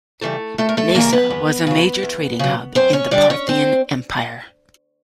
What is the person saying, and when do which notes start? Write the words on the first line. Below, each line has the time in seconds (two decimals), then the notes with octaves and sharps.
Nisa was a major trading hub in the Parthian Empire.
0.21 C#3 E3 G3 A3 A4
0.58 D2 A3 A4
0.69 A#4
0.77 A3 A4
0.95 C#3 E3 G3 A#3 A#4
1.13 B3 B4
1.30 E2
1.67 C#3 F#3
2.03 E2
2.39 C#3 F#3
2.75 F#2 C4 C5
2.93 C#4 C#5
3.11 D3 G3 D4 D5
3.30 C#4 C#5
3.49 C4 C5